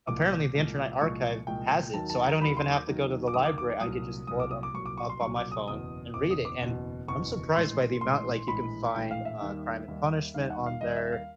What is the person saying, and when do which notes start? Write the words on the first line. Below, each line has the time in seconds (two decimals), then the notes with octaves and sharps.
apparently the Internet Archive has it, so I don't even have to go to the library, I could just pull it u up on my phone and read it, and I'm surprised by the amount like, you can find, uh, Crime and Punishment on there,
0.07 C2 A#2 F3 G#3 D6
0.54 C2 A#2 F3 G#3
1.01 C2 A#2 F3 G#3 C#6
1.47 C2 A#2 F3 G#3 G5
1.94 D#2 D#3 F#3 A5
2.10 A5
2.25 A#5
2.40 D#2 D#3 F#3 B5
2.57 C6
2.72 D6
2.87 D#2 D#3 F#3
3.28 D6
3.34 D#2 D#3 F#3 D#6
3.45 D6
3.58 D6
3.70 D6
3.81 C2 A#2 F#3 D#6
4.27 C2 A#2 F#3 D#6
4.40 D6
4.51 D#6
4.63 D6
4.74 C2 A#2 F#3 C#6
4.86 D6
4.98 C#6
5.09 C6
5.21 C2 A#2 F#3 C#6
5.36 D6
5.52 D#6
5.67 F#1 E2 B2 D#6
6.14 F#1 E2 B2 D6
6.31 D#6
6.45 D6
6.61 F#1 E2 B2
7.07 F#1 E2 B2 C#6
7.54 A#1 A2 E3 G#3 C6
8.01 A#1 A2 E3 G#3 C6
8.47 A#1 A2 E3 G#3 B5
8.95 A#1 A2 E3 G#3 G5
9.11 F5
9.25 E5
9.42 D#2 D#3 G3
9.88 D#2 D#3 G3
10.34 D#2 D#3 G3 F5
10.50 F#5
10.66 F5
10.81 D#2 D#3 G3 D#5
10.96 E5
11.12 F5